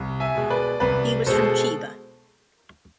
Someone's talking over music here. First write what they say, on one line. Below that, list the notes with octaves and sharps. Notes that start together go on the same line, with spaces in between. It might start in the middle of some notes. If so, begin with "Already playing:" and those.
He was from Chiba.
Already playing: C2
E5 G#5
B2 G#3
B4 D5
C2 B4 D5
B2 G#3 A4 C5